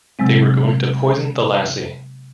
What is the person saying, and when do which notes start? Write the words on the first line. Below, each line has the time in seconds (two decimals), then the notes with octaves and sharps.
They were going to poison the lassie.
0.19 C3 F#3 G#3 C4